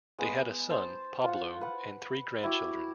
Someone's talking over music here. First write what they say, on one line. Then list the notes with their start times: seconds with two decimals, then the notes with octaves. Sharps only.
They had a son, Pablo, and three grandchildren.
0.18 G#3 B3
0.69 C5 A5 E6
1.24 F4 F#5
1.61 B4 F#5
2.43 E4 F#4 G4 D5